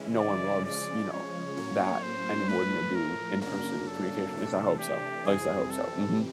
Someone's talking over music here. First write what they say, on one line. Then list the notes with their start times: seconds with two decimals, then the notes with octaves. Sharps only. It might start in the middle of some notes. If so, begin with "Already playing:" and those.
no one loves, you know, that any more than they do in-person communication at least I hope so. At least I hope so, mhm.
Already playing: C#3 E3 G#3 C#4 E4
0.20 D5
0.65 C#3 F3 G#3 C#4 D5
1.11 C#5
1.57 A2 F#3 A#3 C#4
2.03 C5
2.48 A2 F3 A3 B4
2.95 A#4
3.41 F#2 C#3 F#3 A#3 D4 A#4
3.87 A4
4.33 C3 E3 A3 D4
4.78 G4
5.25 F2 C3 E3 G3 C4 G#4
5.70 A4